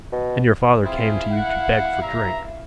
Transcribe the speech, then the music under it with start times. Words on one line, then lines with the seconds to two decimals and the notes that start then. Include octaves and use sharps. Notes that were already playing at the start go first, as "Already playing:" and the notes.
And your father came to you to beg for drink.
0.12 B2
0.83 C4 E4 F4 G#4 F5
1.32 F#5
2.02 G2 E5 A#5